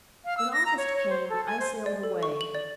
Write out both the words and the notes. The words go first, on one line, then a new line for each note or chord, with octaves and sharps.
When August came I sailed away.
F5
E6
A#6
A#5
C#5
C#5
C5
A4
G#5
C5
D5
A4
C#6
F#7
D5